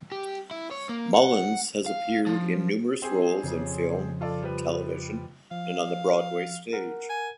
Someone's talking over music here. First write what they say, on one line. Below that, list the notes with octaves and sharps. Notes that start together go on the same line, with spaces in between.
Mullins has appeared in numerous roles in film, television and on the Broadway stage.
G4
E4
C#5
A#3
F#5
F5
F3
C4 G4 G#4
F2 C#3
F4 A4 D5
F3 G3 B4
F3 F5
A#4 F#5
G#5